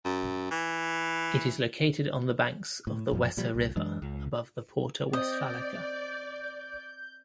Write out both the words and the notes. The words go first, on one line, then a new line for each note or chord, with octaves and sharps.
It is located on the banks of the Weser river above the Porta Westfalica.
F#2
E3
A2
A1 F#2 F3
A#2 F3 G3
C2
F#2 E3 G#3 D4
C#2
C4 D5 D#5 G6